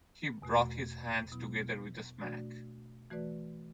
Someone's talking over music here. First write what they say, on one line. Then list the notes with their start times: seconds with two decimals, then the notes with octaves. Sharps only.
He brought his hands together with a smack.
0.42 E2 B2 A3 F#4
1.32 B2 F#3 B3 E4
2.21 B2 A3 D4 F#4 D5
3.10 E3 A3 F#4 B4 D5